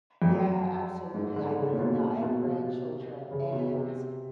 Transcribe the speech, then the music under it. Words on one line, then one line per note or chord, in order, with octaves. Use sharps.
Yeah, absolutely, I know that now, I have grandchildren, and
F2
F#2
G#2
D3
C#3
A#2
B2
A#2
B2
C3
C#3
B2
C3